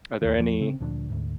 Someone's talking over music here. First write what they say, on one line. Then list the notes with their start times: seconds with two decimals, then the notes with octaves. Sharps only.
Are there any
0.22 D#2 D#3
0.36 E2 F3
0.61 C#3 C4
0.81 D2 A#2 F3 D4
1.10 D2 G#2